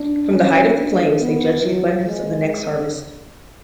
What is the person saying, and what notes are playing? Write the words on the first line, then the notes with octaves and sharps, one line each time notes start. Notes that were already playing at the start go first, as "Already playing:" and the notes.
From the height of the flames they judge the abundance of the next harvest.
Already playing: D4
C#4
D4
B3
F#3
G#3